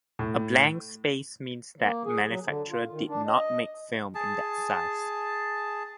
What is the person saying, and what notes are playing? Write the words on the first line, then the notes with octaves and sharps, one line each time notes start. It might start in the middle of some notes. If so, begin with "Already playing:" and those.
A blank space means that manufacturer did not make film in that size.
A2
A#3
G#4
F#3
D3
F4
D#3
D4
D#5
G#4 A5